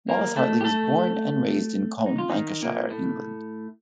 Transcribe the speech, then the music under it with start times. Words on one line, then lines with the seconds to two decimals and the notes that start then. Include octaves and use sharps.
Wallace Hartley was born and raised in Colne, Lancashire, England.
0.09 A#3 A#4
0.36 A3 A4
0.61 G4
0.64 A3 A4
2.06 D#4
2.18 F4
2.30 D#3 D#4
2.62 A#2 A#3
2.90 A2 A3